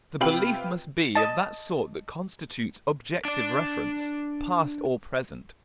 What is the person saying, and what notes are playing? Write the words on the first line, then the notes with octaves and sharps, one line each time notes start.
The belief must be of that sort that constitutes objective reference, past or present.
C3 F4 B4 G5 F#7
D#5 A5
D4 D5